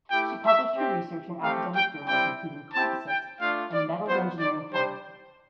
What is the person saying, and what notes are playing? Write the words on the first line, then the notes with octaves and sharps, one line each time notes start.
She published her research in academic journals including "Composites" and "Metals Engineering" "Quarterly".
A3 E4 G4 G5
E5
C4 G4
A3 C4 G4 F5
G5
G3 C4 E4 G5
C4 E4 G4 A5
G5
A3 D4 F4 F5
D5
B3 F4 C5
D5
G3 D4 G4 C5